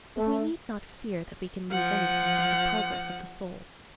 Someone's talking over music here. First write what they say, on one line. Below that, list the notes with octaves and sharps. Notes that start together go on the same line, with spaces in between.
But we need not fear that we can lose any thing by the progress of the soul.
A3
F3 F#5